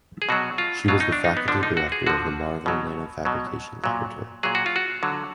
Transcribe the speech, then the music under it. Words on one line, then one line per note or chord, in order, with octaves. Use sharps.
She was the faculty director of the Marvell Nanofabrication Laboratory.
G#4
B2 F#3 F#4
F4
B2 F#3 F4
D#4
D4
D#4
B3
D3 F3 D4
D#4
F#4
G#4
D3 F3 F#4
B2 F#3
B2 F#3
A#2 F#3
A#2 F#3 G#4
F#4
F4
F#4
D3 F#3